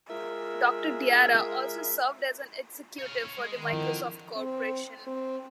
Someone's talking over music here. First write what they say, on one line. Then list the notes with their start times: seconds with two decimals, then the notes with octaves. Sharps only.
Doctor Diarra also served as an executive for the Microsoft Corporation.
0.10 G#3 F4 A#4 E5
2.98 C#5 F5
3.38 G#3
3.56 D#3
3.73 D3 F3 C4 E4
4.36 C4
5.07 C4